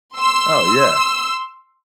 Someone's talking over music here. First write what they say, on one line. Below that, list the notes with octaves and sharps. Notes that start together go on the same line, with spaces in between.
Oh, yeah.
C6 E6